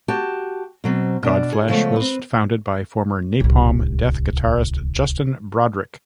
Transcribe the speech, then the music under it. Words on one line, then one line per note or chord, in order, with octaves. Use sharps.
Godflesh was founded by former Napalm Death guitarist Justin Broadrick.
F#4 G4 A5
B2 F#3 C4
B2 D4 D5
G#4
C#3 F3 G#3 A3 B3
C4 B4
D1 C2